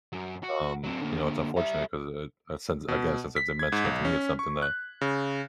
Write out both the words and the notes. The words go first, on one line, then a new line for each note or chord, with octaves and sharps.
um, you know, it's unfortunate 'cause, eh, since again, since they've mentioned it to me, it's something that
F#2 F#3
F#4
F#3 C4
D3 A#3
G3 E5
B2
B6
G#6
G#2
B1
C#4
C#6
F#6
C#3